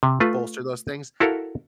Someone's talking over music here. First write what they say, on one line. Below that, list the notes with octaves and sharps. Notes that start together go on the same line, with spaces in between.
bolster those things.
C3
A3 F4 B4
E4 F#4 A4 A#4 F5